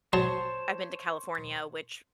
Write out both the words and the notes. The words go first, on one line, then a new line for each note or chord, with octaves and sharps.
I've been to California, which,
F#3 C5 C#5 A5